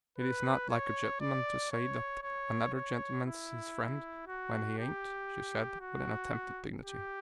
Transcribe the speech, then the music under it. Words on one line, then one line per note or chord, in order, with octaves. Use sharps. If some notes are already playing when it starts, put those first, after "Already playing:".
"It is not like a gentleman to say that another gentleman's his friend when he ain't," she said, with an attempt at dignity.
B4
C#5
D5
C#5
C#5
C#5
E4
F#4
G4
F#4
G4